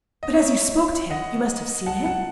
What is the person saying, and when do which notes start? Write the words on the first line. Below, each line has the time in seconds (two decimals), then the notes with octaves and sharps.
"But as you spoke to him you must have seen him."
0.23 D#5
0.34 C#5 E5
1.10 D#5 F#5
1.86 F#5 A5
2.06 F#5 A5